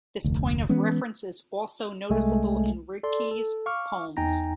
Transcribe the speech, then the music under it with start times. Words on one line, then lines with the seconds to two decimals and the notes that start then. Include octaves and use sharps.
This point of reference is also noticeable in Rilke's poems.
0.24 F1 D2
0.69 E3 G#3 B3 C#4
2.10 C2 G#3 A3 G#5
3.03 A4 D5 C6
3.31 A4
3.66 F5 C#6 D6 F6
4.17 E2 D#4 G5 G#5 A#5 A#6